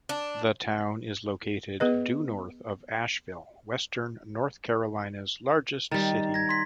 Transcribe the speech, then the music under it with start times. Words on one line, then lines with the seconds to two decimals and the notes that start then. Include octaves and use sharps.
The town is located due north of Asheville, western North Carolina's largest city.
0.09 D4
1.80 B3 G#4 B4 D#5
5.91 D#3 G3 A#5 A6
6.34 G#6 A#6
6.49 C6 B6